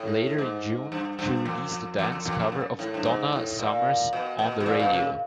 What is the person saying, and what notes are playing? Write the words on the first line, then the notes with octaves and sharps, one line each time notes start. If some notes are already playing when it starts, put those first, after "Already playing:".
Later in June, she released a dance cover of Donna Summer's "On the Radio".
Already playing: A2
G#2
G2
G2
F2
F2
E2
F2
F2
F2
F#2
A2
G2
G#2
A2
A#2
B2
B2
B2
A#2
B2
C#3